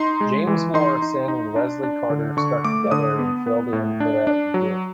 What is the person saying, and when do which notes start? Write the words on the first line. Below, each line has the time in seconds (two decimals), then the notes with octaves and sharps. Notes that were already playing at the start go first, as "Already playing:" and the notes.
James Morrison and Leslie Carter stuck together and filled in for that gig.
Already playing: D#4 C6
0.21 G#3
0.47 E3
0.74 D#4 C6
1.02 D#4
1.28 D#4
1.56 D4
1.83 D4
2.10 D3
2.37 D3 C#6
2.64 A3 D6
2.91 D3 D#6
3.19 B3
3.47 B3
3.73 A2
4.00 D4
4.27 D4
4.54 F#3